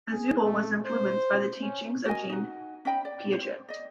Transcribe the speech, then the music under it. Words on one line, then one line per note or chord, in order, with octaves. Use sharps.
Ausubel was influenced by the teachings of Jean Piaget.
G#4
A3
C5
C#4
F#4 A#4 D#5 G#5
D#4 F#4
C#4 D#5 G5 B5
D5
C5
D5 D#5